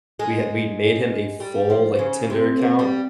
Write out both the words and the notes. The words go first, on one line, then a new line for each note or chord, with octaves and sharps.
we had we'd made him a full, like, Tinder account,
G#3
G3
F3
C#3
C3
A#3
G3